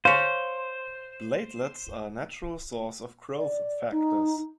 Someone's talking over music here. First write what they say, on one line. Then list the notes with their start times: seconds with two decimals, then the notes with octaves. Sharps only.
Platelets are a natural source of growth factors.
0.05 C5 C#5 F5
3.37 D5
3.92 D#4